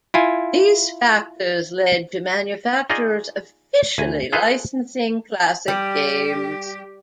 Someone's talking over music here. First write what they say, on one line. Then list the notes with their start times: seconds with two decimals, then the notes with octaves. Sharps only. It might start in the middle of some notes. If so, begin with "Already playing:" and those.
These factors led to manufacturers officially licensing classic games.
0.14 E4 F4 G#5
2.90 D#4 F4 G#4 D5 D#5
3.98 D2 G#5
4.32 F4 G#4 A4 B4 C5 F5
5.68 G3 G4